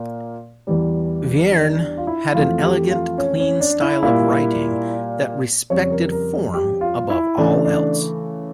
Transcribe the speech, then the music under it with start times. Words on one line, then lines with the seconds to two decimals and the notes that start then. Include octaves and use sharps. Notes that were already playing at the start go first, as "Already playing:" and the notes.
Vierne had an elegant, clean style of writing that respected form above all else.
Already playing: A#2 A#3
0.67 E2 E3 G3
1.50 D4
1.79 D4
1.97 F4
2.07 E4
2.34 F2 E3 A3 F4
2.62 G4
2.90 F4
3.18 C#4
3.40 C#4
3.60 D4
3.81 E4
4.03 A#2 G3 A#3 E4
5.70 F2 C#3 G3 C#5
5.91 A#4
6.12 A#4
6.54 G4
6.81 F4
7.10 E4
7.37 C#3 E3 A3 D4
7.65 D4